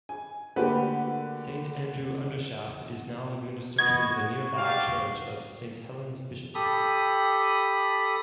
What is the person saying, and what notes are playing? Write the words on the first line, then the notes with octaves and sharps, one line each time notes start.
Saint Andrew Undershaft is now administered from the nearby church of Saint Helen's Bishopsgate.
G#5
D3 A3 A#3 F#4 G4 B4
B3 F#4 D#5 G#6
F#4
G4 D5 F5
G4 A4 B5 D#6